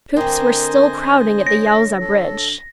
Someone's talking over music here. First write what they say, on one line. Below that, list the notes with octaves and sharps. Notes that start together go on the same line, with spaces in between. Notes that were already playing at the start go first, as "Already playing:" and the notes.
Troops were still crowding at the Yauza bridge.
D3 C4 A#4 C5 D#5 G#5
C#5 A#6
A4